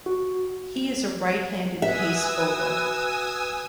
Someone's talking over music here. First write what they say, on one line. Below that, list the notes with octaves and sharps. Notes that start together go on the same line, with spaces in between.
He is a right-handed pace bowler.
F#4
F#4 B4 E5 G#5 D#6 E6